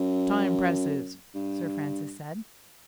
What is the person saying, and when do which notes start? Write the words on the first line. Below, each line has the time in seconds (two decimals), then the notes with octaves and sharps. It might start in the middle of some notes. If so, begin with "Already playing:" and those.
"Time presses," Sir Francis said.
Already playing: F#2
1.35 G2